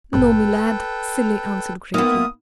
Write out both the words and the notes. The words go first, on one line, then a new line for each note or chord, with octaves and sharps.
"No, me lad," Cilley answered gravely.
G#1 G2 A#2 A4 B4 G5
A#3 B3 D#4 F4 E5 D#6